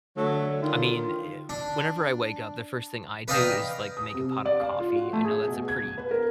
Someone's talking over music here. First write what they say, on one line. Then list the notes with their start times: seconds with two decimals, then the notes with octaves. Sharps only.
I mean, eh, whenever I wake up, the first thing I do is, like, make a pot of coffee. I know that's a pretty
0.17 D3 F#3 A3
0.62 D#3 F4
1.49 D4
3.28 B4 D5 D#5 F5 G5 A#5
3.97 D#6
4.14 C3
4.46 D5
4.61 F5
4.80 F4
4.95 F#4
5.13 A3
5.25 G#4
5.48 B2
5.68 G#6
5.98 B4
6.11 A#4